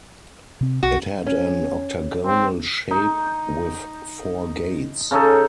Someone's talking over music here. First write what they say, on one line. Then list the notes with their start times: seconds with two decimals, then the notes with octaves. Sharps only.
It had an octagonal shape with four gates.
0.61 C3 C4
0.83 B1 F#4
1.27 C#4
2.26 C4
2.91 D#4
5.11 C#3 C#4 D#4 A4